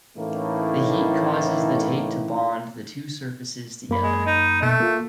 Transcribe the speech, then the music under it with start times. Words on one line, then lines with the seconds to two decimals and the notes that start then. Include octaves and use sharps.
The heat causes the tape to bond the two surfaces together.
0.17 A2 E3 A3 A#3 C#4 D#4
3.89 F#2 A#3 B5
4.03 G#3
4.27 D#4
4.62 B2 A3
4.80 A#3 F4